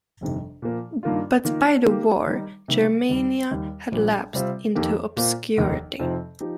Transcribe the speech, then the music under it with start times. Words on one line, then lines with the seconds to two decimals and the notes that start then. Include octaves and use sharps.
But by the war, "Germania" had lapsed into obscurity.
0.21 G1 F2 C3 D#3
0.62 A#2 F3 A#3
1.03 G2 D#3 A#3 F4
1.45 D#3 A#3 F4
1.85 D#3 A#3 G4
2.27 D#3 G3 D#4
2.68 C3 D#3 G3 A#3
3.09 D#2 D#3 G3
3.51 D#2 D#3 G3
3.92 A#1 A#2 G3 C4
4.34 C3 G3 C4 F4
4.75 F2 D#3 A#3 G4
5.17 A#2 A#3 F4 C5
5.57 F1 D#2 D#3 A#3 D#4
5.99 F2 C3 F3 C4 D#4
6.40 F3 D#4 G4